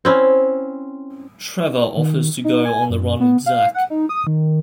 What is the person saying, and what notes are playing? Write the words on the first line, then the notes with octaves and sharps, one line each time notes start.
Trevor offers to go on the run with Zach.
C4 C#4 E4
D#3
D#4
G#5
F#2
B3
F5
F#5
D#4
D#6
D#3